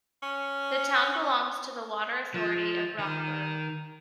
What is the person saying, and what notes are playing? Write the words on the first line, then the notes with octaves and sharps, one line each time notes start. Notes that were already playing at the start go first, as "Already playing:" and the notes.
The town belongs to the water authority of Rottenburg.
C#4
F3
D#3